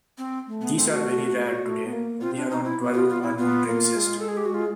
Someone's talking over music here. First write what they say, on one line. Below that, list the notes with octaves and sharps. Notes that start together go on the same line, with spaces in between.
These are very rare today: only around twelve are known to exist.
C4
A3
B3
C4
F#4
A3
B3
A#3
C4 F4
D4
D#4
E4
B3
F4
F4
E4
B3 F4
A#3
G#3
A4
G#4
G4
F#4
F4